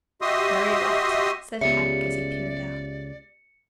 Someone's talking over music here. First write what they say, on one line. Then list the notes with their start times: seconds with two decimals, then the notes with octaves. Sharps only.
"Very wet," said Kadok as he peered out.
0.22 F#4 G4 D#5 E5 C6 D#6
1.61 C#2 C#3 B3 G4 D5 E5 C#7